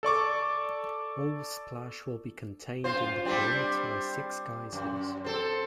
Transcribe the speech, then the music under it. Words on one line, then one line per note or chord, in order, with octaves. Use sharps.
All splash will be contained in the perimeter six geysers.
A4 D5 C#6 D6
F#2 F4 C5
G3 C4 D4
F#2
C4 A4